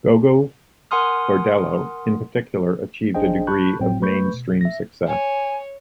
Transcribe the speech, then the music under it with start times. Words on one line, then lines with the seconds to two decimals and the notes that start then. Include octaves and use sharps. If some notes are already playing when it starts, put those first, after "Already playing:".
Gogol Bordello, in particular, achieved a degree of mainstream success.
0.91 A#4 F#5 G#5 C6 D#6 F6
3.15 A1 D4 G#4 C5 D#5 G5
3.47 A5 B5 C#6 F#6 G6
3.80 G1 A2 F#3 C4 G5
4.02 A3 B4 B5 C#6 G6
4.34 B2
4.61 E5 A#6
5.07 C#5 G#5